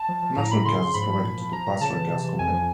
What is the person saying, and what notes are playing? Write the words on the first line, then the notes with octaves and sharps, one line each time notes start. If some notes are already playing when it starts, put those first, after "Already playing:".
Natural gas is provided to the Basrah Gas Company.
Already playing: A5
F3
F3
A2 A#5
A2 B5
C#3 C6
F3 C6
G#2 B5
F3
A#2
F3
F3 A#5
A#2 A#5
C#3 A5
E3
C3
E3
F2 G#5
F3